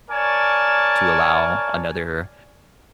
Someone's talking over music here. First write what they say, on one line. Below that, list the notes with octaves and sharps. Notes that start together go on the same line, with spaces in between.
to allow another,
A#4 C#5 D5 G#5 A5